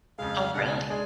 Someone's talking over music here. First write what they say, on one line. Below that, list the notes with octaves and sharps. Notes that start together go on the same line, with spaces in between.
Oh, really?
F2 C#3 G#3 F5
C#2 B2 G#3 D4 F#5
G#5
A5
G#3 D4 G#5